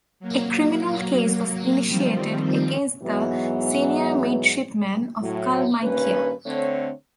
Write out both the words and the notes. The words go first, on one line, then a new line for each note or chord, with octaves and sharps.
A criminal case was initiated against the senior midshipman of "Kalmykia".
F#3 A#3
D#3 F3 G3 C4
G#2 E3 F#3 B3
A2 F#3
G2 D#3 A#3 C#4 B4
D3 A3 C4 C#5